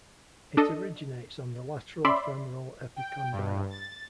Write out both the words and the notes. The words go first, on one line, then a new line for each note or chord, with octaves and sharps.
It originates on the lateral femoral epicondyle.
D4 A4 D#5
C#4 D5 E5 B5 C6
G5
G2
A6